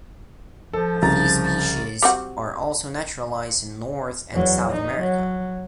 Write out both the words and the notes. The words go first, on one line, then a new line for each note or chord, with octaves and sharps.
A few species are also naturalized in North and South America.
F3 A4
C2 C#3 A#5 A6
A6
G3 C4 F#4
E2 F#3
D#4
F#3